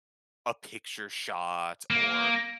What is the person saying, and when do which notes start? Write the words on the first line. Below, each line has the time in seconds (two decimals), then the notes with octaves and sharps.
a picture shot or,
1.91 A#3